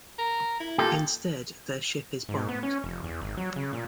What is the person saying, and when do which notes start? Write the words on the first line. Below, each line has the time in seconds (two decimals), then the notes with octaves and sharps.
Instead, their ship is bombed.
0.19 A#4
0.60 E4
0.78 A#3 F4 G4 A4
2.29 G#2
2.49 B3
2.63 C#4
2.84 F1
3.04 E2
3.22 G#1
3.37 F#3
3.56 C#3
3.73 A#2